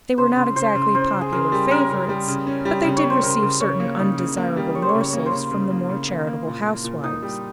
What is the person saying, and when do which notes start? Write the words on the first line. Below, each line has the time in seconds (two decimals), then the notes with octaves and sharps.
They were not exactly popular favorites, but they did receive certain undesirable morsels from the more charitable housewives.
0.18 C#3 C5
0.37 C#3
0.56 C#3 C5
0.75 C#3
0.94 C#3 C5
1.13 C#3
1.21 G#4
1.32 C#3 A#4
1.52 G3
1.70 C#4 A#4
1.90 C#3
2.09 G3
2.28 C#3
2.47 C#4
2.65 G3
2.85 C#3
2.97 C#5
3.04 G3
3.10 C5
3.23 C#3 A#4
3.42 C#3
3.60 C#3 C#5
3.80 A#3
3.99 C#3 D#4
4.18 C#3
4.37 A#3 A#4
4.57 G3
4.75 G3 C#5
4.82 C5
4.89 C#5
4.95 C#3
5.01 C#5
5.13 A#3
5.26 C5
5.32 C#3
5.51 C#3
5.71 A#3
5.89 C#3
6.08 A#3
6.27 A#3
6.47 A#2
6.66 A#3
6.84 A#2
7.03 A#2 D#4
7.22 G3